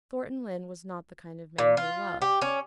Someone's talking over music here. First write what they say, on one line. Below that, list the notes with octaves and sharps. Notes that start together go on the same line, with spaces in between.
Thornton Lyne was not the kind of man who loved.
A#2
F4
G4
C#4